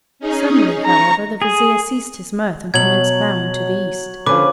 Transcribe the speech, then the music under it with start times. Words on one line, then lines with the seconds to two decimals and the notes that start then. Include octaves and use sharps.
Suddenly, however, the Vizier ceased his mirth, and commenced bowing to the east.
0.19 C#4 D#4 G#4
0.85 A#5 C#6
1.42 G#4
2.74 B2 F#3 G#6 F#7
4.26 D3 F3 C#4 B4 D6